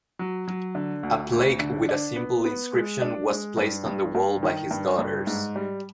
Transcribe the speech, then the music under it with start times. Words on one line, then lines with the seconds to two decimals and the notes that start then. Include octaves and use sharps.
A plaque with a simple inscription was placed on the wall by his daughters.
0.19 F#3
0.48 F#3
0.75 D3
1.03 D2
1.32 D2
1.59 D3
1.89 D4
2.16 B3
2.45 B3
2.73 G#3
3.02 D4
3.30 G#3
3.57 G2
3.86 G2
4.15 G2
4.43 D#3
4.71 G2
4.99 G2
5.27 G#2
5.56 G3